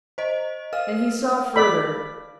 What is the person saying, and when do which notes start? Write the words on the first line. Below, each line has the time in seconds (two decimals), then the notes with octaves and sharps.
And he saw further.
0.18 C5 D#5
0.73 A#4 F5 F6
1.56 D5 B5